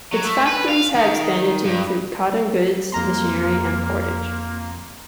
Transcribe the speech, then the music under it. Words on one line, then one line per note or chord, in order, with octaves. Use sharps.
Its factories had expanded to include cotton goods, machinery, and cordage.
F#3
A3
B4
F5
D#3
G2
F2 A#3 A#5 C6